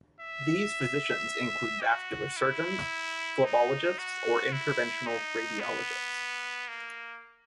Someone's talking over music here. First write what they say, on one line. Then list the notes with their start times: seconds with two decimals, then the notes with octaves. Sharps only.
These physicians include vascular surgeons, phlebologists or interventional radiologists.
0.20 E5
1.82 F#4
2.37 E4
3.45 D#4
3.98 F#4
4.52 E4
5.07 D#4
5.60 B3
6.68 A#3